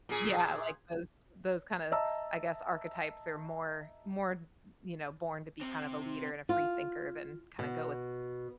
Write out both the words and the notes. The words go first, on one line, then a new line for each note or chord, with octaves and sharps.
yeah, like, those those kinda, I guess, archetypes are more more, b you know, born to be kind of a leader and a free thinker than kinda go with
A#2 G#4
D#5 E5 A5 A#5 E6
C3 C4
F4
B2